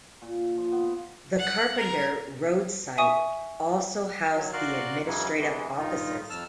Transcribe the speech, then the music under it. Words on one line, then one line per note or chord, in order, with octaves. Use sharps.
The Carpenter Road site also housed the administrative offices.
A#2
F3
B3
F#5
A#4
E5 G#5 C#6 D#6
D#3 F#3
F#4 A#4 D5 F5 C6 F#6
F#2 C#3 E3 F#3 G#3 C#4
C3 E3 G#3
G2 D#3 D#4 F4
F2 A5 E6 F6